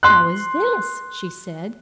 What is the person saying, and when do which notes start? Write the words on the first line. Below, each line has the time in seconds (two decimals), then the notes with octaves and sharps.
"How is this?" she said.
0.03 C6 F#6